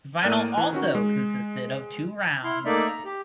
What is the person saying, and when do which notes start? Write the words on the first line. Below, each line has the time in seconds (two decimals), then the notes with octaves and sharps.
The final also consisted of two rounds.
0.22 A2 A#3 D5 F6 F#6 D#7
0.57 E3
0.73 D#3 C#4 F#4
0.95 G#3
2.44 E4 C6 F6
2.65 A3 A#3 D#4 D5 E5
2.88 A#5
3.05 G4